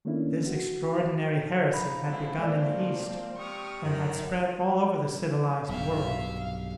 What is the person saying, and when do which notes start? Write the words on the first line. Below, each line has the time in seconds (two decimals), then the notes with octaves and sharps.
This extraordinary heresy had begun in the East, and had spread all over the civilized world.
0.05 D#3 A3 A#3 C#4 D4 E4
0.47 F#4
1.74 F3 D#4 B5
2.07 A2 G#3 C4 E4
2.39 G#3 A#3 C4 D5
3.36 C3 C#6 D#6 F6
3.84 F#2 D#3 D#4 E4
5.69 B1 G2 C3 E5 F5
6.39 F5